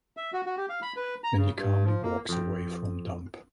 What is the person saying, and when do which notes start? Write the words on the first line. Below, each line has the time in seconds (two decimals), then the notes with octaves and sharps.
Then he calmly walks away from dump.
0.17 E5
0.33 F#4
0.46 F#4
0.57 G4
0.69 F5
0.82 B5
0.96 B4
1.24 A#5
1.38 C#3
1.57 G2
1.85 F3
2.03 A#3
2.29 F2 G5